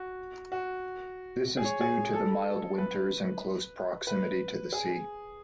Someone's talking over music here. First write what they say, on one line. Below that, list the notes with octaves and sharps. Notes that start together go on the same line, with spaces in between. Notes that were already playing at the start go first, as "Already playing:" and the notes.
This is due to the mild winters and close proximity to the sea.
Already playing: F#4
F#4
G#4
C#5
G#4
A4
B4
B4
G#4